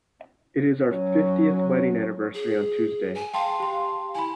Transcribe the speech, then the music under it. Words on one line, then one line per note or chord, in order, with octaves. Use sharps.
It's our fiftieth wedding anniversary on Tuesday.
F#3 C#4
G#4
G#5
F5 G5 A5 C6
G4 C6
E4 G#5 B5